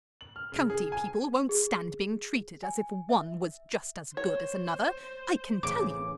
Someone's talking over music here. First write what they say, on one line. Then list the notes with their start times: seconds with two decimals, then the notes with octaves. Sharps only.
County people won't stand being treated as if one was just as good as another, I can tell you!
0.21 F#7
0.36 F6
0.52 C#3
0.70 G#4
0.92 G#5
1.49 G#4
2.63 G#5
3.09 E5
4.17 C5 C#5
5.63 A1 C#3 D6